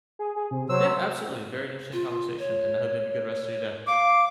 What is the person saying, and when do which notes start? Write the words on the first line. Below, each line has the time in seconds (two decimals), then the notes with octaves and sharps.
Yeah, absolutely, very interesting conversation, and I hope you have a good rest of your day.
0.19 G#4
0.36 G#4
0.51 C3
0.69 F#3 C5 E6
1.93 F4
2.39 C#5
3.87 F5 D6